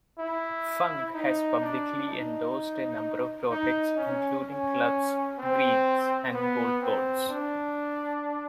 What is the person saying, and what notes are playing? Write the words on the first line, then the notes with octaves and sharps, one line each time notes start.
Funk has publicly endorsed a number of products including clubs, greens, and golf balls.
E4
D#4
D4
D#4
D#4
C#4
C#4
C4
B3
C4
D4